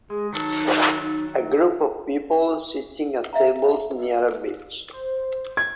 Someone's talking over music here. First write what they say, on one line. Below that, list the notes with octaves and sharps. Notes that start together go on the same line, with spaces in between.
A group of people sitting at tables near a beach.
G#3 G#4
D#3 F#3 D#4 A4
E5 F5 A#5
C5
G#6